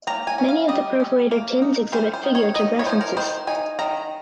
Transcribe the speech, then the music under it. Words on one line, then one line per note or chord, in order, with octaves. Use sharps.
Many of the perforated tins exhibit figurative references.
A#3 A#5
G#5
C#4
F5
G3 D#5
C#4
A#3
D#4
C#4 C5
C5
D#3
C#5
D#4 D#5
C#5
F3 C5
A#4
D#3 C5
D#4 G#5
D#3 A#5